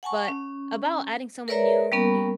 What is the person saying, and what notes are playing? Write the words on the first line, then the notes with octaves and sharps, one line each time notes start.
but about adding someone new, you
F#5 G#5 A5 C#6
C#4
A#4 B4 C#5 D5 E5 A#5
G3 A#3 B3 C#4 A#4 B5